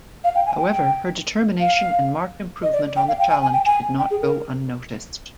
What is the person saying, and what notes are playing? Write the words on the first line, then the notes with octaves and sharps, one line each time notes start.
However her determination and marked improvement on the challenge did not go unnoticed.
F5
G5
G#5
G5
F5
D#5
D5
G5
F5
G5
G#5
G#5
G5
G#5
G5
G#4
A#4